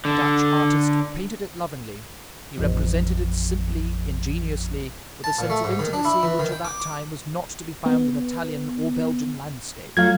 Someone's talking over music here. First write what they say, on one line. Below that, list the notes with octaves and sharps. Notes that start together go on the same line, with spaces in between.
The Dutch artist painted it lovingly; he represented it simply, ingenuously, with a sense of intimacy which at that time was not to be found in Italian or Belgian landscape.
D3
A1 F2 F3
A5
A#2
A3
G#2
D#3
D4
E4
E3
D#3
G5
D6
D6
B3
F#3 A3 F4 F5 G#6